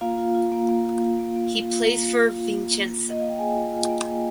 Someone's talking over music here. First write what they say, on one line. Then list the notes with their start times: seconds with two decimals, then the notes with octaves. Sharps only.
He plays for Vicenza.
0.01 A#3 F4 F5
0.18 F4
0.34 F4
0.52 A#3
0.69 A#3
0.85 F4
1.02 F4
1.19 A#3
1.36 A#3
1.53 F4
1.70 F4
1.87 A#3
2.04 A#3
2.21 F4
2.37 F4
2.55 A#3
2.71 A#3
2.88 F4
3.05 F4
3.10 D#5
3.20 A#3 F5
3.30 G5
3.39 A#3 G#4 G#5
3.55 F4
3.73 F4
3.89 A#3
4.06 A#3